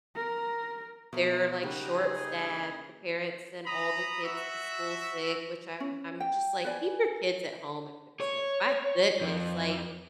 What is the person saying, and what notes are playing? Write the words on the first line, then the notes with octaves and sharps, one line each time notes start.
they're, like, short-staffed. The parents sent all the kids to school sick, which I'm I'm just, like, "Keep your kids at home if they're sick." My goodness, like
A#4
B2 F3 A3 A#5
C#3 G3 A#3 D#4 F#4
G#4
A#5 B5 D#6
F#4 E5
C#4
G5
B4 D5 G#5
C#5
F2